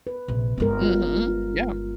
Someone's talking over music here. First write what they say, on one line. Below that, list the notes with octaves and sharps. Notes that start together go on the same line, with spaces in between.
Mhm, yeah.
B4
A#1 C3
G1 G#3 B3 A#4
F4